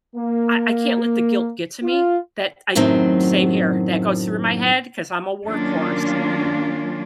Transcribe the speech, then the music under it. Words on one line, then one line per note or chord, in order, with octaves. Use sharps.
I I can't let the guilt get to me, that I Same here, that goes through my head 'cause I'm a workhorse,
A#3
F4
F#2 A2 D#3 F#3 C4
D#3 F#3 A#3 C#4 D4 F4